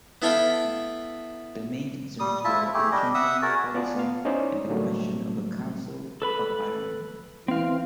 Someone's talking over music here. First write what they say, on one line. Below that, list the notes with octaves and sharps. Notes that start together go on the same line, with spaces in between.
The main concerns were internment, policing and the question of a Council of Ireland.
B3 E4 A4 E5 F5 G5
G3 D#6
E4 F4 E5 A5
A3 E4 G4 G#4
G3 D4 G4 D#5
E5 F#5 D#6 E6
F#4 G#4 A#4 D5
B3 F4 D5 G#5 A5
B3 F5
C#4 D#4 E4 C5 D5
A2 D3 F#3 G3 A3 A#3
A4 B4 B5
E3 C4 F5